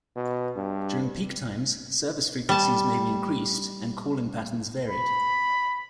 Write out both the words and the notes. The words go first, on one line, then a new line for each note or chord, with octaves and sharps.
During peak times service frequencies may be increased and calling patterns varied.
B2
G2
G3 A5
B5